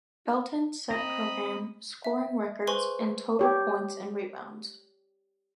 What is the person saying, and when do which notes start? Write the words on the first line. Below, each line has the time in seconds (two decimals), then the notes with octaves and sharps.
Belton set program scoring records in total points and rebounds.
0.91 C4 D#5 A#5 B5
2.04 E5
2.67 G#4 B4 C5 G#5 C6 C#6
3.39 G4 C#5